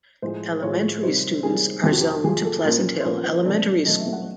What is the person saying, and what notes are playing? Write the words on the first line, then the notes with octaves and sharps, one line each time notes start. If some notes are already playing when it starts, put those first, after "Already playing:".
Elementary students are zoned to Pleasant Hill Elementary School.
A2 F3 G#3 C5
A2 F3 G#3 C#5
C3 D#3 G3 C5
C3 D#3 G3 G#4
F2 C3 F3 G4
F#4
G4
F2 C3 F3 G#4
A4
A#2 F3 A#3 C#4 A#4
C5
A#2 F3 A#3 C#4 B4
C5
E2 B2 F#3 A3 C#4 D5
E2 B2 F#3 A3 C#4 D#5
E5
F#5